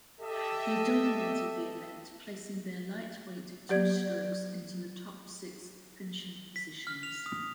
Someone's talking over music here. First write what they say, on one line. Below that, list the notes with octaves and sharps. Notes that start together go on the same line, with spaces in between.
They dominated the event placing their lightweight two-strokes into the top six finishing positions.
G4 A4 D#5 E5
F#3 G4 D5 G#6
B6
F6
F7
D#6